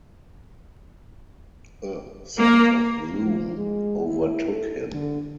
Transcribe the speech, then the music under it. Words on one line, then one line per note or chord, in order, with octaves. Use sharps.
A sense of gloom overtook him.
A#3
F3
G#3
E4
A4
D3